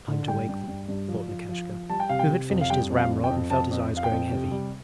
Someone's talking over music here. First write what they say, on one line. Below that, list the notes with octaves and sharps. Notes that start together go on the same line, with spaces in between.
'Time to wake them,' thought Lukashka, who had finished his ramrod and felt his eyes growing heavy.
D3
G2 G5
G2
G2
G2
F3
F3
F3
F3
G3 A5
G5
C3 F5
G5
C3
F2
F5
G3 G5
F2
F5
F2
G5
F2
F2 A5
F2
F2
F5
G5
F2
C3
G3